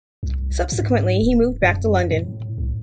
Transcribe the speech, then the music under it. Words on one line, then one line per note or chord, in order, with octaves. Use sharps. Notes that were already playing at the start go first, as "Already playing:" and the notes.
Subsequently, he moved back to London.
C2
G#2
D1
F#2
A2
C2